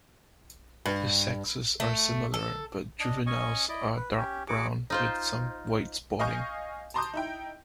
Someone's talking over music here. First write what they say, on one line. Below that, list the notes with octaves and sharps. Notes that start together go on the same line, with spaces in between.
The sexes are similar, but juveniles are dark brown with some white spotting.
G2
A3
A4
D4 D#5
C#4 D#5 G#5 C#6
E4 D5 D#5
B4
C#4 G4
F#4 G#4 F#5 D6
D#4 F4 C5
D#5 F5 G#5 C#6 G6
A5 A#5 C6 D6 D#6 G6
D#4 E4 G5